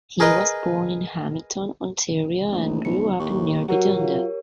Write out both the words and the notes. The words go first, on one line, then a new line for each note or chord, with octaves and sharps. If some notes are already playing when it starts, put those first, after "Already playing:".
He was born in Hamilton, Ontario and grew up in nearby Dundas.
G#4 A#4 B4 D#5
A#1 A3
B1 C#7
D#2 A2 C#6
F#3 F#4 G4 A#4 C#5
F4